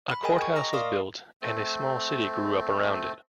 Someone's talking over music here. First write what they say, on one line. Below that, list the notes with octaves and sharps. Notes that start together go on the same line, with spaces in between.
A court house was built and a small city grew up around it.
B5
G#4 A#4 D#5 G5 G#5
G5 C#6
D#5 A#5 C#6 A#6
A#4 D5 F5 C6 D6 D#6
A3 C4